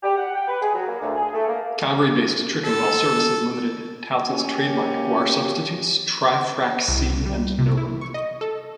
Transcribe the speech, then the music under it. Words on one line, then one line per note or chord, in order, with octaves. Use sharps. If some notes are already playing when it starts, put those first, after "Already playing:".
Calgary-based Trican Well Services Limited touts its trademarked guar substitutes TriFrac-C and Novum.
G4
F#5
G5
B4
G#4
F#3
A#3
D2
G#4
A3
A#3
A4
A#3 C#4 G4
C2
G3
C3
E4
C#6
D#5
A4